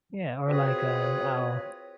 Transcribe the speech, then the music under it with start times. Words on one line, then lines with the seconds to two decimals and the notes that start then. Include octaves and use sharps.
yeah, or, like, um, I'll
0.47 C4 F4 F#4 G#4 B4 C#5